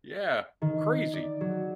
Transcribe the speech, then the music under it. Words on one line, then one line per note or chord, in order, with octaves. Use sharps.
Yeah, crazy.
D#3
D5
F#3